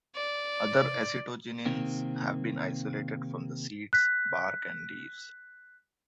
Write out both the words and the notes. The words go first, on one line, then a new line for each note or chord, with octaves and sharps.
Other acetogenins have been isolated from the seeds, bark, and leaves.
D5
C3 D#3 A#3 C4
F#6 B6